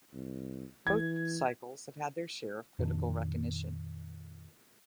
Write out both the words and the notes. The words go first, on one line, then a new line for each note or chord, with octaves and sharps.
Both cycles have had their share of critical recognition.
C2
E3 G#6
F2 A#2 D#3 D4